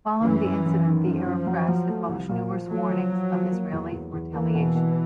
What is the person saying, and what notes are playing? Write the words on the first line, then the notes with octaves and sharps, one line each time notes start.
Following the incident, the Arab press had published numerous warnings of Israeli retaliation.
F#2 E3
F#2
F#2
D#3
F#2 F3
F#2
F#3
F#3
A3
C2
A#2
F3
F#3 A3
F3
F3
F3
A#3
E2
E2
E2
E3 A#3
B2
B2